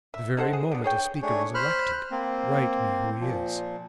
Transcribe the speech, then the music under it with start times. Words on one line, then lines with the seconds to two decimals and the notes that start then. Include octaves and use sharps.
The very moment a speaker is elected, write me who he is.
0.14 E5
0.37 D#4 A4 C5 F#5
0.53 G#4
0.72 D3 B3
0.84 G#4 C#5 G5
1.22 A3 D4 G#4 C#5
1.54 C5 B5 F6 F#6
2.11 A#3 C4
3.20 A#2 F3